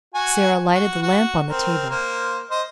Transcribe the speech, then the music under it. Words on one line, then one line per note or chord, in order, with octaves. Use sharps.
Sara lighted the lamp on the table.
F#4 G#5
F#4
F#4
C4 A#4
A#3 C5
C5 D#5